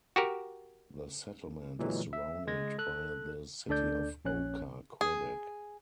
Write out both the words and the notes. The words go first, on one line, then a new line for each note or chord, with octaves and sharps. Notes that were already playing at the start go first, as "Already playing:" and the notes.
The settlement is surrounded by the city of Oka, Quebec.
F#4 G4 A#4
A#2 D3 E3 F#3 G#3
E5
C#3 G#3 G#6 A#6
A4 F#6
D2 D4 A4 D5 G6
A#1 C#4 C#5 F#6
G#4